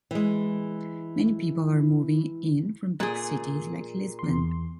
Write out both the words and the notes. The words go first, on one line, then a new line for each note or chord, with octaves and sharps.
Many people are moving in from big cities like Lisbon.
E3 G#3
A#2 G#4
E2 C6